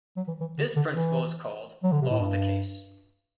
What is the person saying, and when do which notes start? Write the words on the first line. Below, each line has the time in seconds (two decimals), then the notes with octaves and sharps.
This principle is called law of the case.
0.17 F#3
0.28 E3
0.40 E3
0.58 D3
0.76 D3
0.94 E3
1.84 F#3
1.92 D3
2.02 C3
2.11 A2
2.19 G2